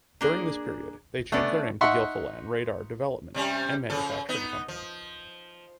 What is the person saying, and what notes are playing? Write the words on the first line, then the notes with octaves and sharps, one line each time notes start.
During this period they changed their name to Gilfillan Radar Development and Manufacturing Company.
A#3 D4 G#4
A3 B3 C#4 D4 D5
D#4 E5 F#5 C6 C#6
C3 G3 C#4
C#3 F3 A4
B3 D#4
F3